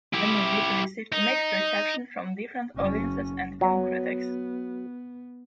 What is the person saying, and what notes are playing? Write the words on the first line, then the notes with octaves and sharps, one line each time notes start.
The movie received mixed reception from different audiences and film critics.
E4 G4
D#4
F#1 C#4
F#3 B3